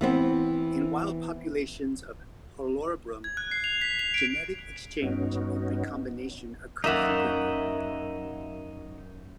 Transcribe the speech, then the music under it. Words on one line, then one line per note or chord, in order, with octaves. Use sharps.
In wild populations of "Halorubrum", genetic exchange and recombination occur frequently.
E3 B3 C4
G#6
F#6
C7
F7
B6
F7
D7
G2 B3 C#4 D#4 F#4
F#2 A#3 D#4 E5 F#5